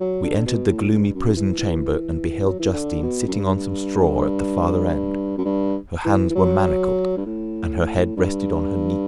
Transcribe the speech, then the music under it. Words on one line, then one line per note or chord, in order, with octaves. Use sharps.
We entered the gloomy prison chamber and beheld Justine sitting on some straw at the farther end; her hands were manacled, and her head rested on her knees.
F#3
D3
B2
A2
G2
F#2
E3
E3
F#3
E3
D3
B2
F#2
G2
F#2
G2
E3
E3
F#3
G2
A2
G2